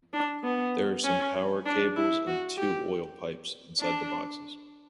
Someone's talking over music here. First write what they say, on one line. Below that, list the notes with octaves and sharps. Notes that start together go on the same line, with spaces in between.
There are some power cables and two oil pipes inside the boxes.
D4
B3
C#4
D4
E4
F#4
G4
D4